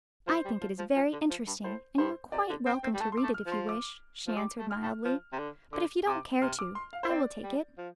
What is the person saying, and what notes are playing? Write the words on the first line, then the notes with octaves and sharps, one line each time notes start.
"I think it is very interesting, and you are quite welcome to read it if you wish," she answered mildly; "but if you don't care to, I will take it."
F3 C5
G3
F3
F3
F3
D3
F3
G2
A2 C5
G2 C5
C3 D5
D3
C4 G5
C4
G3
A3 A5
C6
D6
A3
F6
F3
C6
D6
F3
G3 D6
A3
F6
A3
F3
C3
D3
D3 D6
C3 D6
C3 F6
D6
C6
F5
C5
C4 D5
G3
F3